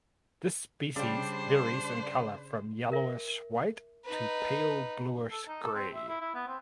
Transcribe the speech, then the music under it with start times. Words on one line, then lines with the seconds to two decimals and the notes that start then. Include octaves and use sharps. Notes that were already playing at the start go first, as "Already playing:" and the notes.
This species varies in colour from yellowish white to pale bluish gray.
0.96 C#3 G3 D4 C5 G5
2.92 A#4 E5
4.05 D#4 B4
5.31 A4
5.48 D#4
5.63 A4
5.74 C4
5.95 E5
6.09 E4
6.21 E4
6.34 B3
6.47 C4